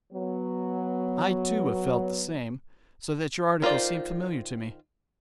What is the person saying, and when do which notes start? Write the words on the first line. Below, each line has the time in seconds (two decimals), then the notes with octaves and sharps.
I, too, have felt the same, so that your article seemed familiar to me.
0.13 F#3 B3
3.62 D#3 F4 C5 D5